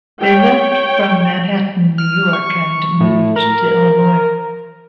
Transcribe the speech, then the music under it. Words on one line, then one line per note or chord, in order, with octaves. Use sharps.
They left from Manhattan, New York and moved to Illinois.
C#5 G5
F6
C#6
A2
A#4